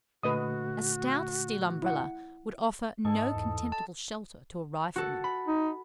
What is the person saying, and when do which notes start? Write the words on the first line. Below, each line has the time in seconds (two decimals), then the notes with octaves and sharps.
A stout steel Umbrella would offer no contemptible shelter to a rifleman.
0.23 A#2 D3 A3 F#4 B4 D#5 D#6
1.82 E4 F#5
3.05 G#2 A4 D#5 G#5
3.35 E2
3.72 A5
4.96 F#4 A4
5.24 B5
5.48 D#4